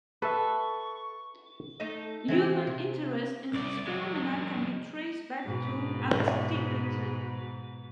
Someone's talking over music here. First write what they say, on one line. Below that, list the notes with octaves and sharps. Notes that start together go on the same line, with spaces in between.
Human interest in these phenomena can be traced back to antiquity.
A4 B4 E5 C#6
A3 D#4 D#5
E3 G#3 C4
C3
C2 D5
F#3 G#3
G#2 B2